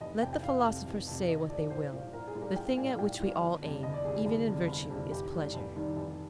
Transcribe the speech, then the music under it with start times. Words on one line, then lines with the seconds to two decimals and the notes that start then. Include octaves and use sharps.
Let the philosophers say what they will, the thing at which we all aim, even in virtue is pleasure.
0.01 F1 D#5
0.22 C3 G5
0.25 F2
0.33 G5
0.43 F1 F5
0.65 F2 C3
0.86 F1
1.07 F2 C3
1.28 F1 D#5
1.49 F2 D5
1.54 C3
1.70 A#1 C5
1.92 A#2 G3 A#3
2.13 A#1 A#4
2.28 G#4
2.35 A#2 G3 A#3
2.42 A#4
2.56 A#1 G5
2.77 A#2 G3 A#3 G#5
2.99 A#1 G5
3.20 A#2 G3 A#3
3.42 G1
3.62 F2 C3 G3
3.83 G1 D#5
3.94 D5
4.04 F2 C3 G3 G#4
4.16 G#4
4.26 G1
4.47 F2 C3 G3
4.68 G1
4.90 F2 C3 G3
5.11 F1 G4
5.33 D#2 D#3 G3
5.54 F1
5.75 D#2 D#3 G3
5.96 F1